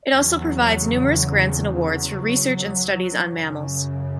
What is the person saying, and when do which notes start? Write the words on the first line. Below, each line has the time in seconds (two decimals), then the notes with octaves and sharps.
It also provides numerous grants and awards for research and studies on mammals.
0.11 E2 C#3 F#3
1.69 F#3
3.27 F#2 C#3